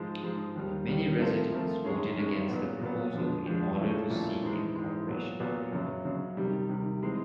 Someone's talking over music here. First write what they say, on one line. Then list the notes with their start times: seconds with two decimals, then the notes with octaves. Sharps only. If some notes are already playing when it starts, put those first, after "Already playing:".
Many residents voted against the proposal in order to seek incorporation.
Already playing: G#2 F3 G#3
0.22 G#2 F3 G#3
0.56 D#2 D#3 G3
0.87 D#2 D#3 G3
1.19 F3 A3 C4 F4 A#4
1.52 F3 A3 C4 F4 A#4
1.84 F#2 D#3 G#3 C#4
2.16 F#2 D#3 G#3 C#4
2.49 A#2 F#3 B3
2.81 A#2 F#3 B3
3.14 F2 D3 F3 G#3
3.46 F2 D3 F3 G#3
3.79 A#2 F3 A3 C#4 E4
4.10 A#2 F3 A3 C#4 E4
4.43 G#2 E3 G#3
4.75 G#2 E3 G#3
5.08 A#2 F#3 B3
5.40 A#2 F#3 B3
5.72 F#2 C#3 F#3
6.05 F#2 C#3 F#3
6.37 C3 D#3 G3
6.69 C3 D#3 G3
7.02 E3 G#3 C4